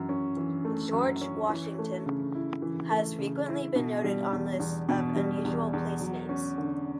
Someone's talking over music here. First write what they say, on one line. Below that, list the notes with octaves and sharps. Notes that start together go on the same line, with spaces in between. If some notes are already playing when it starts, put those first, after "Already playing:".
George, Washington has frequently been noted on lists of unusual place names.
Already playing: F#2 E3
C#4
E3
A3
F#2
C#4
E3
A3
C#3
E4
E3
A3
C#3
E4
B2
G3
E2
E2
B2
G3
E2
E2
F#3
C#4
D3